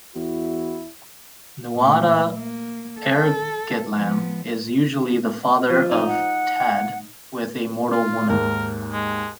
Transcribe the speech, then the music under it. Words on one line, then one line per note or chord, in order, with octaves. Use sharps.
Nuada Airgetlam is usually the father of Tadg with a mortal woman.
E2 E4 F#4
A#2 A3
A#3
A4
F3 B3
F3
D#4
F#5
F4
D#2 G#2 A#4
G#3